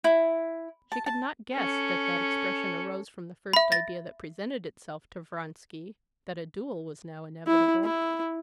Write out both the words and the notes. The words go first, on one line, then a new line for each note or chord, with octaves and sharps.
She could not guess that that expression arose from the first idea that presented itself to Vronsky--that a duel was now inevitable.
E4
A5
A5
C#4 A4
E5 B5
A6 A#6
E4
E4